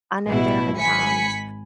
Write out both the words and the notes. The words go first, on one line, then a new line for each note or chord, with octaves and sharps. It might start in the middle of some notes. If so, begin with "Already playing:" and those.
I know there have been times
A1 B2 E4
G#1 G#2 G#5 B5 B6 C#7